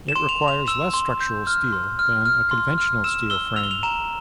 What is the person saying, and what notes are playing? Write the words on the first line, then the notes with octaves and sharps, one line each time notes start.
It requires less structural steel than a conventional steel frame.
E7
C6
F7
C6
F7
E6 E7
C6
G6
F6
C6
F6
F6
C6
F6
E6 E7
E6 G7
E6 F7
G7
F7
A#5 E7